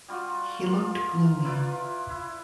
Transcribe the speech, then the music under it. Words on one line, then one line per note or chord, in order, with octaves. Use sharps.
He looked gloomy.
G3 F4 F#4
F4 A#4
E4 F4 B4 D5
E4